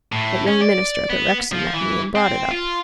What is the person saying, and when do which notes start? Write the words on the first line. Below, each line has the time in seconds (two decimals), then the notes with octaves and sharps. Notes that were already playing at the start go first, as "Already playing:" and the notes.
That young minister up at Rexton met me and brought it up.
0.12 A2
0.47 C#4
0.61 D5
1.10 B3
1.52 F3
1.74 E3
2.15 C4
2.51 F4